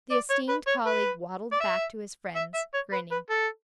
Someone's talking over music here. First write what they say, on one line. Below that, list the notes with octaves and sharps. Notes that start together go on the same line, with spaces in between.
The esteemed colleague waddled back to his friends, grinning.
D5
C#5
B4
C#5
B4
D5
E5
E5
E5
C#5
B4
B4
A4